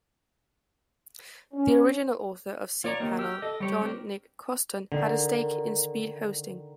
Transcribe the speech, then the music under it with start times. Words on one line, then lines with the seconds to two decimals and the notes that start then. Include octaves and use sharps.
The original author of cPanel, John Nick Koston, had a stake in Speed Hosting.
1.54 C#4
2.84 F4 C#5 D5 A#5
3.00 D#3 A#3 G4
3.19 G4 E6 F6
3.42 A4 D#5
3.60 G3 G4 C#5
3.81 C4 D4 A#4
4.92 D3 D#3